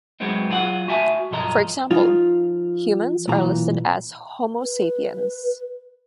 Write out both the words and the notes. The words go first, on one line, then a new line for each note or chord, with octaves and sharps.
For example, humans are listed as "Homo sapiens".
F#3 G#3 A3 B3 C4 D#4
F#3 F4 G#4 F#5
A3 F#4 E5 G#5 A5
B1 G2 F3 A4 D#5 A#5
F3 D#4 F4
B1 A#2 E3 A#5
B4